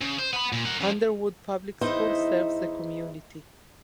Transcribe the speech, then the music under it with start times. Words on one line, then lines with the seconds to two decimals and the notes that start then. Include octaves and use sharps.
Underwood Public School serves the community.
0.02 C#3
0.19 C5
0.33 B3 B5
0.52 A#2
0.65 A#4 F#5
0.80 C#3 F3
1.81 E2 D#4 E4 C5 D#5